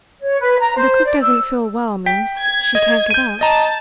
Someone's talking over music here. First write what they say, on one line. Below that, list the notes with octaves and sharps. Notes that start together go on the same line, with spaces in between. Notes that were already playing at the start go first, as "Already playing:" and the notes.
'The cook doesn't feel well, miss; she can't get up.'
C#5
B4
A#5
C5
D5
E6
G5 B6
G#6
D#5
G6 D#7
D#5 A5 A#5